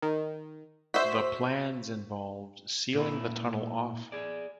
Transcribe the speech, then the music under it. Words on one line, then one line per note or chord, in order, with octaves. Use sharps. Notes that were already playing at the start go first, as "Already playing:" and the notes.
The plans involved sealing the tunnel off.
D#3
F#4 C5 E5 E6 B6
A#2 E4 B4
G#4 D5